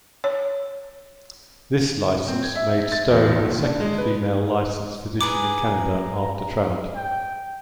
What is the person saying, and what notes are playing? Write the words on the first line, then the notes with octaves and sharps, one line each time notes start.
This license made Stowe the second female licensed physician in Canada, after Trout.
C#5
C4
G#6
E5
E5
A6
E1
A#1
D#2
D4
G#3
B4
G#4 B4 G#5 A#5 D6
G5